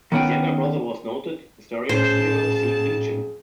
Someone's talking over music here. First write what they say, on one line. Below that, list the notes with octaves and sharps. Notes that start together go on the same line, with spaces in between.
His younger brother was noted historian Theodore C. Blegen.
D#3 B3 C#4 F#5 G5
F2 A2 F#3 C#4 G#4 C5 A5